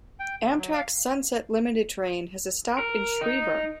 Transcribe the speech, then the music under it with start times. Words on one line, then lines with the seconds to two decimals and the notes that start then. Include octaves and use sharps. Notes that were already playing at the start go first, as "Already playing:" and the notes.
Amtrak's Sunset Limited train has a stop in Schriever.
0.20 G5
0.42 D3
0.57 F#3
0.73 F5
2.79 A#4
3.21 D#4